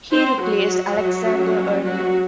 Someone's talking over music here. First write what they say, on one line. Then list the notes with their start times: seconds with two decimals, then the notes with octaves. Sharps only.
He replaced Aleksander Erdman.
0.13 C4 C5
0.41 F#3 F#4
1.26 G3 A#3 C#4
1.83 F#3 F#4